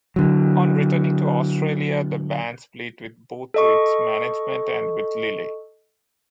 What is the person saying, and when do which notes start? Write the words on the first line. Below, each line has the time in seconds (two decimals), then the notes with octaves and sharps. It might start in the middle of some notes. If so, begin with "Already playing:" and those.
On returning to Australia, the band split with both its management and with Lilley.
0.16 D3 F#3
3.54 A4 D#5 C#6